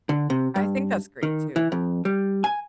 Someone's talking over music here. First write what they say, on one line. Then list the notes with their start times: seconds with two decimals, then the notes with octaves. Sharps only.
I think that's great, too.
0.09 D3
0.30 C3
0.56 G2
1.23 D#3
1.56 E3
1.72 F2
2.05 G3
2.44 G#5